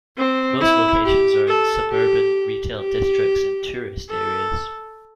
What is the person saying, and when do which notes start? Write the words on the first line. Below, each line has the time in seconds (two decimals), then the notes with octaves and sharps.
Most locations are in suburban retail districts and tourist areas.
0.17 C4
0.61 E4
1.05 G4
1.47 A4
1.92 G4
2.79 G4
4.09 A4